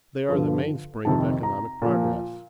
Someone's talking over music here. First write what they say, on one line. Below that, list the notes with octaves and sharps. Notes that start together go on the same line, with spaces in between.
They are the mainspring of economic progress.
G2 D3 F3
F2 C3 D#3 A5
A#5
A#2 F3